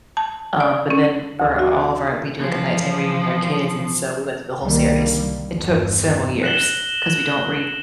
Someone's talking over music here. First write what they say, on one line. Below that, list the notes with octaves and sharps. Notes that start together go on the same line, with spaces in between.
Um, but then for all of our we do, like, a nighttime reading with our kids, and so we went through the whole series. It took several years 'cause we don't read
A5
D5
C#4
D2
F#4
E3 F3
C2 D3 D#3 G3 A#3
G1 E2
F#6 A#6 E7 F#7 G7